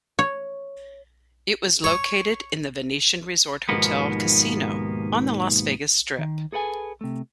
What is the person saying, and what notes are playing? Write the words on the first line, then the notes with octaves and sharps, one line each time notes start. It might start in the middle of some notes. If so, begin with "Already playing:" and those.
It was located in The Venetian Resort Hotel Casino on the Las Vegas Strip.
C#5
C#5
D#2 G#2 B2 F3 A#3 B3
D#3
G#4 A4 B4 F#5 G#5
C3 A3